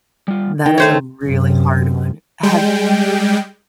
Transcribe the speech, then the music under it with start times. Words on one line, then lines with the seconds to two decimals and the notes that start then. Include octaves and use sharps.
That is a really hard one, have
0.28 G3 F4
0.66 D#3 G5
0.78 A3 C5 C#5
1.25 F#2 C3
2.43 G3 G#3 G5